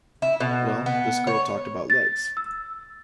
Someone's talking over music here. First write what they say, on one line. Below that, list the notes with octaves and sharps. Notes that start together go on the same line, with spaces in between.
Well, this girl talked about legs.
E4
B2
B3
C#5
A6
E6